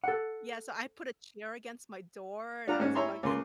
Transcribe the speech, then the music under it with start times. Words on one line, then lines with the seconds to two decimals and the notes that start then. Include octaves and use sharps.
Yeah, so I put a chair against my door and I was like going,
0.04 A4 F#5
2.67 D4 F4 F#5 A#5
2.80 G#2 C#4
2.95 E4 C#5 E5 G#5 A#5 C6
3.23 C#2 C#3 A#3 C6